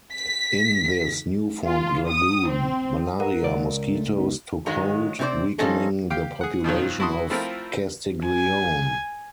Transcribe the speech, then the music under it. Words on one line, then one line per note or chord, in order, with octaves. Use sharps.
In this newformed lagoon, malaria mosquitoes took hold, weakening the population of Castiglione.
B6
F4
D#6
C4
A#4 F#5 A#5
C#2 D5
A3
B3 D#4
G2 D#3 F#3 G#3
C3 C4 G4 C5 D5
F3 C4 C#4 D#4 A4 A#4
G4 F5 G5
G#4 F#5
B2 D#3 F3 F#3
E4 F#4 A5 C6 D#6
F3 A3 C4 E4 F4 A#4
G#5